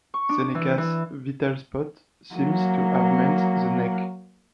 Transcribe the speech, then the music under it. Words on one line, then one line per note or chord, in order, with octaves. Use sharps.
Seneca's "vital spot" seems to have meant the neck.
C#6
D4
E3
E3
F#3 A#3